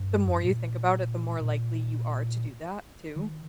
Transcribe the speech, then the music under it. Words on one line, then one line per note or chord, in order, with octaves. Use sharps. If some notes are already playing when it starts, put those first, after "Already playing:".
the more you think about it, the more likely you are to do that, too.
Already playing: G2
F2
G2
A#2
A#2
D#3